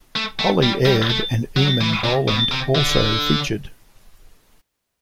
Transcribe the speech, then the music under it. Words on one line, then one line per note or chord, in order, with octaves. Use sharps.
Holly Aird and Eamon Boland also featured.
A3
A3
G3
G3
A3
F#3
E3
C3
B2
C3
D3